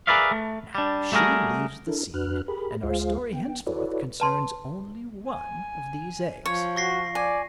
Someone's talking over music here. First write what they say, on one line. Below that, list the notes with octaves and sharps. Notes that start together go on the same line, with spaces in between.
Now she leaves the scene, and our story henceforth concerns only one of these eggs.
G#4 A#4 B4 D5 E5 F5
A3
G3 D4
G3 A3 F#4 G#4 A#4
D4 E4 A4 A#4
F2 D4 F#4 B4 F6 F#6
G4 G#4 A#4 B5
D2 G#3 F4 G#4 C5 F5
B3 G5
E4 F#4 A4 B4 C#5 D5
B4 A5 C6
G#5
F3 C#5
F#4 C#6 A#6 C7
D5 G#5